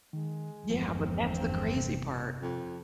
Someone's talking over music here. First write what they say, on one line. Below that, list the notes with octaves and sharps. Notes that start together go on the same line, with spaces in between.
Yeah, but that's the crazy part,
D#3 G#3
G1 E2 F3 G#3 C4
C3
F2